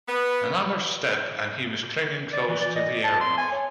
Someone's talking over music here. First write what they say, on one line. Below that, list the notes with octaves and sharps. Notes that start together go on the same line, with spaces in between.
Another step and he was clinging close to the aeronaut.
B3
D5
E3
D5
D#5
A5
C6
G#5
C#5